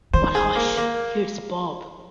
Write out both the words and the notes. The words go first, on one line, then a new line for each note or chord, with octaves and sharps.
But, hush, here’s Bob.
D#3 C5
G#4
A#3
A#3